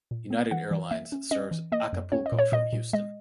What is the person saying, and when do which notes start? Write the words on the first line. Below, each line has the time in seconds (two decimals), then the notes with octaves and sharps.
United Airlines serves Acapulco from Houston.
0.11 A#2
0.31 B3
0.51 E3 F#5
0.71 E3
0.91 A#3 E5
1.12 C#4
1.31 C#4 D#5
1.51 E3
1.72 A#3 D#5
1.93 F#2
2.12 C#4 C#5
2.26 D#5
2.32 A#2
2.39 C#5
2.52 A#2 D#5
2.73 A#2
2.93 G#3 D#5